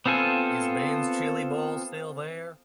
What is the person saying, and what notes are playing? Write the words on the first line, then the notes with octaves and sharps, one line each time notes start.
Is Ben's Chili Bowl still there?
B3 C4 F4 A4 G#5